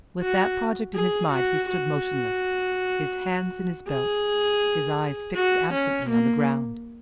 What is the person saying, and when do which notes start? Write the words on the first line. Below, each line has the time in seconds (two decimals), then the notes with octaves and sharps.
With that project in his mind he stood motionless--his hands in his belt, his eyes fixed absently on the ground.
0.22 F#4
0.95 G#4
1.31 F#4
1.69 F#4
3.89 G#4
5.36 F#4
5.73 C#4
6.09 A#3